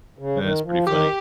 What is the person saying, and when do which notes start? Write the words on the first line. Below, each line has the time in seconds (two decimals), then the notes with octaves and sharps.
That's pretty funny.
0.18 C#3
0.41 D#3
0.64 F3
0.86 D#3 G4